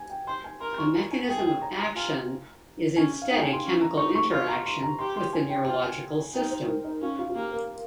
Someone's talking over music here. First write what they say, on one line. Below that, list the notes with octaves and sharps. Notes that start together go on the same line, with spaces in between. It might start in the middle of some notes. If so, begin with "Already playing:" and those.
The mechanism of action is instead a chemical interaction with the neurological system.
Already playing: G#5
G5
C5 C6
G#5
A#4 C6
C6
C#6
A#5
G#5
G#4 G5
G#5
G5
A#5
A#5
F4 G#5
C#4 G#5
F5
D#4 G5
G#5
C6
C#4
A#5
D#4 C#6
C#6
F4 C6
A#5
C6
A#5
G4 C6
C6
G#5
G5
F4 G5
G#5
D#4 G5
C5
A#4
D#4
C#4 F4
F4
F4
A#3 G4
A#4